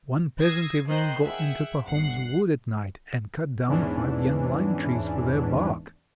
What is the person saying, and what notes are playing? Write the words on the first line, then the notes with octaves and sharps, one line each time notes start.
One peasant even got into Pahom's wood at night and cut down five young lime trees for their bark.
D#6 E6 G#6 A#6 C7
D#3 C5 D#5 F#6 G6 C7
G#4 E5 F#5 G5
G1 F#5 F#6 C7
E2 G#2 E3 C#4 D4